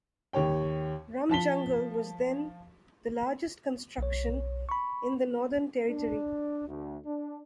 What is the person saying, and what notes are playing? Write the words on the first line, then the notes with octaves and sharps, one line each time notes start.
Rum Jungle was then the largest construction in the Northern Territory.
D#2 G4 C#5 G5
F3 A5 B6 G7
B1 C#5
B5 C#6
D4
D2
D4